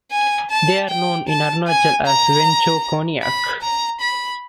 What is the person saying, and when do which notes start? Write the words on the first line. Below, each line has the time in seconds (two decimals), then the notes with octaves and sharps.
They are known in Arunachal as Wancho Konyak.
0.11 G#5
0.51 A5
0.90 G5
1.28 A5
1.67 G#5
2.07 A#5
3.23 B5
3.62 A#5
4.01 B5